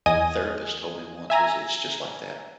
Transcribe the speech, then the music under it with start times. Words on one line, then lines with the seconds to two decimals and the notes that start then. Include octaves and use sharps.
therapist told me once was it's just like that,
0.06 E2 D#5 G#5 D#6
1.30 E5 G#5 A#5